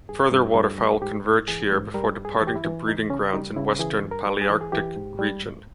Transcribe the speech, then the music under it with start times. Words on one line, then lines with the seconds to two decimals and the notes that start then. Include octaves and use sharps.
Further waterfowl converge here before departing to breeding grounds in western Palearctic region.
0.09 G2 G#4
0.32 G2
0.55 G2
0.78 G3
1.02 G#2 G4
1.25 G#2
1.48 E3 G#4
1.72 G#2
1.94 G3 A#4
2.17 G2
2.25 G#4
2.41 E3
2.47 G4
2.56 E4
2.65 E3
2.88 C#2 D#4
3.10 C#3 C#4
3.33 G3 D#4
3.56 C#3 E4
3.79 E3 G#4
4.04 G2
4.11 A#4
4.27 G3
4.41 G#4
4.49 E3
4.61 G#4
4.72 E3 G4
4.96 G#2
5.19 G3
5.42 G#2